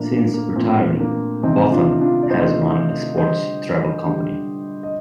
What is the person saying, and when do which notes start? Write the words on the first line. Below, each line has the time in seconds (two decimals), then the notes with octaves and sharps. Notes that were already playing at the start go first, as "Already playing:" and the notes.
Since retiring, Botham has run a sports travel company.
Already playing: A#2 F3 A3 A#3 D4
0.12 A#3 D4
0.34 A#3
0.56 A#2 F3 A3 C4
0.99 A#3 D4
1.43 C3 D#3 A3 C4 D#4
1.72 D4 F4
2.01 D4 F4
2.23 D5
2.30 C3 D#3 A3 C5 D#5
3.17 D3 G3 C5 D#5
4.05 D3 G3
4.83 D#5